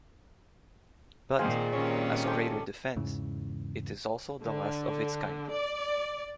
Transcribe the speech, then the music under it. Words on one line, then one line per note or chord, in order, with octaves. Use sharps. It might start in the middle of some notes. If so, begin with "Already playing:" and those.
But, as Crater defends, it is also the last of its kind.
A#2 D#3 A#3 C4 G#4 C5 F5 G#5
D#3 G3 C#4 C#5
E4 G4 A4 C5 G5
E2 G#2 C#3 E3
D3
D5